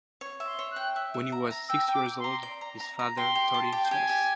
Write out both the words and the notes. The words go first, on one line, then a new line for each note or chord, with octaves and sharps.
When he was six years old, his father taught him chess.
C#5
E5
C6
C#5
F#6
G5
E5
E5
A#5
A#5
G5 E6
G5
D6
G5
A#5 C6
D5
A#5
A#5
A#5
G4 C6
G4
A5
G4
G5
G4 G#5
G4